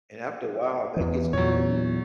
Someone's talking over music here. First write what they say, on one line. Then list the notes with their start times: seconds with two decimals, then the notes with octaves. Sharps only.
And after a while, that gets old,
0.96 E2 E3
1.33 E2 A#2 F#3 C#5